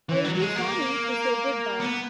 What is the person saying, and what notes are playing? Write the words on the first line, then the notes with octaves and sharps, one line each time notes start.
I'll be sorry to say goodbye.
E3
F#3
F#3
G#3
A#3
B3